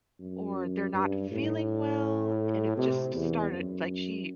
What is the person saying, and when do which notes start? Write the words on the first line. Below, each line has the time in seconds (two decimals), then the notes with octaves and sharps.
or they're not feeling well and it just started, like, she
0.20 F#2
0.94 G2
1.31 A2
2.78 C3
3.15 E2
3.52 F#2